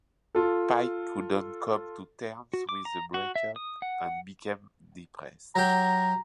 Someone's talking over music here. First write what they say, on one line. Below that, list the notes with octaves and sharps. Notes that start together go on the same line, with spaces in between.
Pike couldn't come to terms with the break-up and became depressed.
F4 A4
F#4
D6
A#5
F#4
E5
D#6
F#5
F#3 G4 A#5